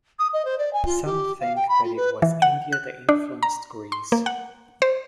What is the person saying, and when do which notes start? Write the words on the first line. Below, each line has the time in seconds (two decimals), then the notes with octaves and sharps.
Some think that it was India that influenced Greece.
0.19 D#6
0.33 D#5
0.45 C5
0.58 D5
0.73 G#5
0.86 F4
1.05 G4
1.40 F5
1.56 G5
1.69 B5
1.84 F4
1.96 B4
2.22 E3
2.42 F#5
2.72 F#6
3.09 D4
3.43 A#5
3.92 C6
4.12 A#3
4.26 F#5
4.82 C5